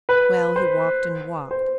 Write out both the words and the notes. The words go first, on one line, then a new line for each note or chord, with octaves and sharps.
Well, he walked and walked.
B4
C5
C5